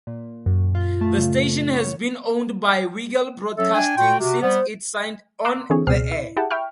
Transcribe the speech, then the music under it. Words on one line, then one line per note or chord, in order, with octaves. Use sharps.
The station has been owned by Weigel Broadcasting since it signed on the air.
A#2
F#2
F4
A3
C#3
C#5
F#3 C#4 A4 E5
D4 G5 G#5
A#2 F#4 G5 C6
C3 F#4
G3 B3 C5
A#5 C6 D6 E6 F#6
D3 E3 A3 C4 G#4 C#5
C#2 B2 C4 G#4 F6 C7
E4
E4 G4 G#4 F#5 G5 A5
E5 G5 B5 C#6 F6